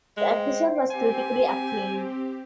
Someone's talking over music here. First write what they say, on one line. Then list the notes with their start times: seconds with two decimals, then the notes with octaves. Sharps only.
The episode was critically acclaimed.
0.17 G#3 C5 F5 G5
0.90 C4 G4 G#5